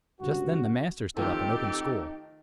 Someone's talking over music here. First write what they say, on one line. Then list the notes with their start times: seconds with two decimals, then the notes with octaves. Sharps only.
Just then the master stood up and opened school.
0.21 G1 C#2 G2 F#4
1.17 D#3 F3 A3 C4 D#4 G4 A4